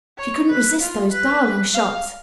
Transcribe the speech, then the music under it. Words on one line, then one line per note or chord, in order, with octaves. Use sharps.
She couldn't resist those darling shops.
C#5
B4
F4
B4
F5